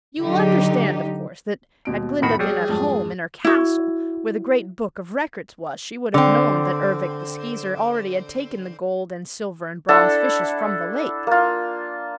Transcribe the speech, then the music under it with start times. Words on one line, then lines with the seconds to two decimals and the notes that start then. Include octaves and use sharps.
You will understand, of course, that had Glinda been at home in her castle, where the Great Book of Records was, she would have known that Ervic the Skeezer already had taken the gold and silver and bronze fishes from the lake.
0.20 D3 F#3 D#4 G4
1.85 D#2 B2 D7
2.22 A2 D#3 F#4 B5
2.39 F#3 G3 G#4
2.69 F2 G#2 A5
3.45 E4 F#4
6.14 D3 C4
9.89 D4 E4 A4 F#5
11.27 A#3 F4